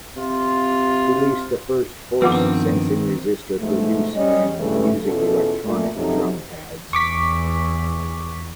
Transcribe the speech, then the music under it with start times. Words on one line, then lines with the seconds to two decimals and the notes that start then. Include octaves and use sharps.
Released the first force-sensing resistor for use in music electronic drum pads.
0.17 C3 F4
2.22 G2 D#3 F3 B3 C4 B4 F#5 D6
3.59 G#2 B2 F3 A3
4.14 G3 C#4 D#5
4.59 G2 C#3 E3 A3
5.04 E2 B2 C#4 F4 A4
5.65 A#2 A3 A#3
5.94 F#2 C3 F3 F#3 D#4 A4
6.93 E2 C#6 D6 B6